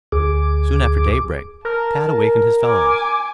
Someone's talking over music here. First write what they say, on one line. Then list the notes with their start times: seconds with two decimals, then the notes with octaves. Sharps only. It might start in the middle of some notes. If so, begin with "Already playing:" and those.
Soon after daybreak, Tad awakened his fellows.
0.12 D2 G#4 D6
1.65 A#4 A5
2.64 G#5 D6